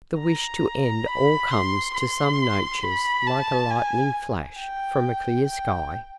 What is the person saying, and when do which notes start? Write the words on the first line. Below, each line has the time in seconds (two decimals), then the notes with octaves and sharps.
The wish to end all comes to some natures like a lightning flash from a clear sky.
0.19 A#5
1.07 B5
1.51 C6
1.95 C6
2.83 B5
3.27 A5
3.70 G#5
4.58 G5
5.47 G5